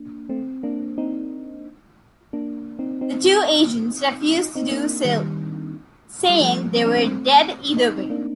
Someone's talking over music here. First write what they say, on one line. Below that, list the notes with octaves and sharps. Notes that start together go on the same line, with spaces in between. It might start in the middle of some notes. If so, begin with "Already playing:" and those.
The two agents refused to do so, saying they were dead either way.
Already playing: A#3 D4
A3 C4
A#3 D4
C4 D#4
A#3 D4
C4 D#4
C4 D#4
D#4
C4 D#4
A#3 D4
D#3 G3
G3
F3 A3
C4
D4
A3 C4
D#4
C4 D#4
A#3 D4